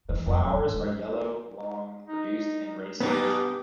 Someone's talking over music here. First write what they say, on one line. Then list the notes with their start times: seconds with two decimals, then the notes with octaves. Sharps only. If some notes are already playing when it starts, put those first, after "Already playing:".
The flowers are yellow, long, produced in racemes long.
0.09 E3
0.27 F2
0.40 F#3
0.52 G#1
0.73 G#3
2.07 D#4
3.00 G2 B2 B3 D#4 G4